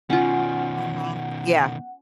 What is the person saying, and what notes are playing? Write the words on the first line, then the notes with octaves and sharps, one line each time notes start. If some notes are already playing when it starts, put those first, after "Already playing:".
Mhm, yeah.
B2 D#3 C#4 F4 F#5